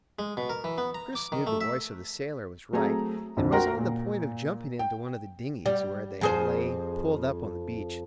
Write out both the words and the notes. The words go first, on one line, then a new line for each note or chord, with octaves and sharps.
Chris knew the voice of the sailor was right, and was on the point of jumping into one of the dinghies, where they lay pulled up on the beach.
G#3
B2
A#4
E3
B3
A#5
D6
D#3
A3
E5
F#3 A3 C4 G#4 A#5
A#1 F2 D3
F#4 A#4 F#5 G5 C6
A#2
G5
G3
F2 G#4 C5